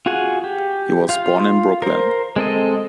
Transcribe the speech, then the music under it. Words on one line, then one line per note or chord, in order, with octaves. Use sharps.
He was born in Brooklyn.
F4 F#4 G#4 F#5 G#5
G4
F4 F5
A#4 C5
G#3 C4 A4 D#5